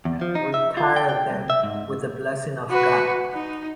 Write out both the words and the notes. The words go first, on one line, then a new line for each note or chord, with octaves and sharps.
Retire then, with the blessing of God.
E2
F3
D#4
E5
F4
G5
G5
C2
E5
G#2
F#4 B4
D#4